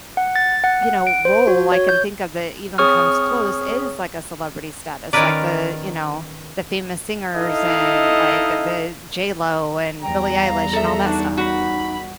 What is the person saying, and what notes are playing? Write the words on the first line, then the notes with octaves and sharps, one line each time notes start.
you know, role I can think of that even comes close is, like, a celebrity status, like, the you know, the famous singers, and like, uh, the J.Lo, and Billie Eilish, and all that stuff,
F#5
A6
F#5
F#5
D7
C5
F#4
C#5
G6
C4 G#4 C#5 C#6 D#6 F6
D#3 C#4 F4 A#4 B4 D5
D#4 E4 A4 D#5 F5
E2 G3 G5 A#5
F5
G#4 A4 E5
D4 D#4 F#4
F#2 F#4 B5